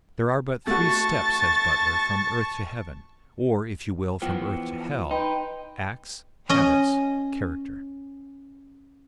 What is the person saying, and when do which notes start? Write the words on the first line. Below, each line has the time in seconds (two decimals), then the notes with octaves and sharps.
There are but three steps, says Butler, from earth to heaven, or, if you will, from earth to hell--acts, habits, character.
0.67 A3 F#4 A5 C#6 A6
4.22 E3 F3 B3 G5 A#6
5.11 D#4 B4 D#5 G5 C6
6.49 C#4 D#5